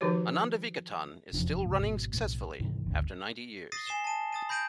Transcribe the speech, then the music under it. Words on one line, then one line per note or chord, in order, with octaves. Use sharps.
Ananda Vikatan is still running successfully after ninety years.
D#3 F3 D#4 F#4 G4 C#5
F1 E2 F3 D4
C#2 A2
G#1 B2
B1 A2
C2 G#2 D#3 E3
G#1 D2
D#6 A6 A#6 C7 D#7
G#5 C7 D#7 E7 G7
A5 D#7
D#6 A6 D#7
B5 G6 A#6 D7 D#7 F#7